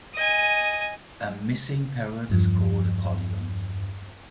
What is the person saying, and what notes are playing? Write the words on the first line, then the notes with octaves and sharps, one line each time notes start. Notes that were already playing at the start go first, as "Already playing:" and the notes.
A missing parrot is called a polygon.
D#5 G#5
E2 G2 F3